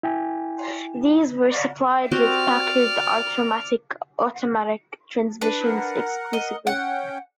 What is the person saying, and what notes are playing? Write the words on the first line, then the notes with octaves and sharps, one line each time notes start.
These were supplied with Packard "Ultramatic" automatic transmissions - exclusively.
E4 G5 G#5
C4 F#4 G4 D5 F6
D4 B4
A#4 F#5
D#5
C#4 F#5 G5